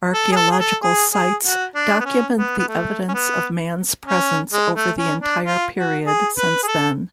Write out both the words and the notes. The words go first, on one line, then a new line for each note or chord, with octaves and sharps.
Archeological sites document the evidence of man's presence over the entire period since then.
A4
G#4
A4
G#4
A4
G#4
G#4
F#4
D4
B3
C#4
B3
B3
A3
C#4
B3
C#4
G#3
A3
C#4
D4
F4
F#4
G#4
B4
G#4
A4